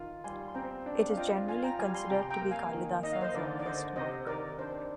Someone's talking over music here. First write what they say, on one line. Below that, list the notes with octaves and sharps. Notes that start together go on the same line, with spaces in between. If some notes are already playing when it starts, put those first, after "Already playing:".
It is generally considered to be Kaldiasa's earliest work.
Already playing: D#3 F4
G3 G#5 C6
C6
C4 G5 A#5
D4
F5
F4 D#5 G5
F4 F5 G#5
G5 A#5
G3 F5 G#5
G#5 C6
C3 G5 A#5
G5 A#5
A#3
F5 G#5
D#3
D#4 D#5
F5
C5 D#5
D3 A#4 D5
D5
D3 C5 D#5
C3 C5 D#5
D#3 A#4 D5
D4 C5